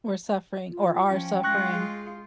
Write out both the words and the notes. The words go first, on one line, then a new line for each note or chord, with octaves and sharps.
we're suffering or are suffering
F4
F3 C#4 G5
G#3 F4 C#6 F#6 A#6
G#4 G6